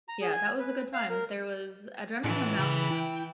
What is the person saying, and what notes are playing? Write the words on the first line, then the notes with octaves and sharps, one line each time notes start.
Yeah, that was a good time. There was Adrenaline Mountain,
A#5
G#4
G#5
B4
F5
A#4
A2 E3 C#4 F4
C#3 G5 B5
E4 G5